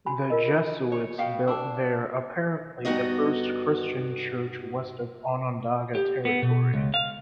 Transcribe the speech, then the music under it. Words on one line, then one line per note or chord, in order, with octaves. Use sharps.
The Jesuits built there apparently the first Christian church west of Onondaga territory.
F#4 G#5 B5
F4 A#4 D#5
C#5
B2 F5 G5
D4 D6 E6
G2 B3 D#4 F#4 D#5
G4
B3
B2
C#2
F5